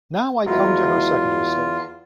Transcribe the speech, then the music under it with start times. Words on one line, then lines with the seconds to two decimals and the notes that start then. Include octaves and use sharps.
Now I come to her second mistake.
0.46 E2 F#3 G#3 E4 F4